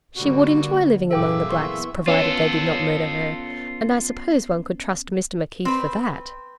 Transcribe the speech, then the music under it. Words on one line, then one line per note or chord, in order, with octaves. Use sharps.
'She would enjoy living among the blacks, provided they did not murder her, and I suppose one could trust Mr McKeith for that.'
D3 G3 A#3 F#4
F#2 A#2 A#3 G#4 A4 E5 G5 D6
E3 B3 C6 C#6
B3 C#4 F4 A4
C4 B4